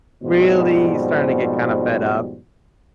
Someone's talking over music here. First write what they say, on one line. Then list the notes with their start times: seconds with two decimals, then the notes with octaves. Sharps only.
really starting to get kinda fed up,
0.23 F2 G#2 B2 F3 G3 C5